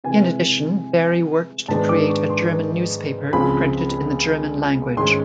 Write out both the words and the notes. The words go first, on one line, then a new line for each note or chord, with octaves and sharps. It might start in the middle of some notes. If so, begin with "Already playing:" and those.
In addition, Barry worked to create a German newspaper printed in the German language.
C3 E3 G#3 G#5
G#2 D#3 G#3 B3 D4 A5
D6
C#6
C6
C#2 C#3 F3 G#3 C4 B5
G#2 D#3 G#3 C#4 C6